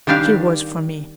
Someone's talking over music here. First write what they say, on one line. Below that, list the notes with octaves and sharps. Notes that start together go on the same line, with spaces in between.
She was for me.
D#3 G3 D4 G4 F5